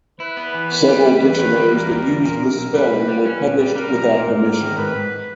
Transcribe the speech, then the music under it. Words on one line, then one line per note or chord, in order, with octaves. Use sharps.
Several dictionaries that used this spelling were published without permission.
E4 B4
B3
E3
B3 B4
G3
G3
E2
D#3
G3
E2 A#4
G3
E2
A#2
B1
B1
G3 B4
B1
G3
C#4 B4
A#2
G3
G3 A#4
B1
A#2
G#2 A#4
G#2
D#3
G#2 B4
G#2